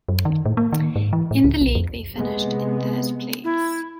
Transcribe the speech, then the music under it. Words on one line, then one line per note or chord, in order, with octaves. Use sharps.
In the league, they finished in third place.
F#2
D#3
A2
A#3
D#3
G#2
E3
A2
C#2
B1
F2
C3 G#3 B3
E4